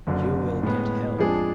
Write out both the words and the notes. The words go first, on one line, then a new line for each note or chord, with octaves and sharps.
You will get help.
F#1 F#2 D3
A2 G#3 B3
F2 F3 G#3 D4 G#4